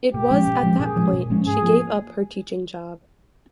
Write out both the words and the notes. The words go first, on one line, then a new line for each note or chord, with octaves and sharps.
It was at that point she gave up her teaching job.
A#2 G4
F3 G#3 C#4
A#2
F3 G#3 C#4
A#2 G#4
F3 G#3 C#4
A#2
F3 G#3 C#4
G#2 G#4
F3 A#3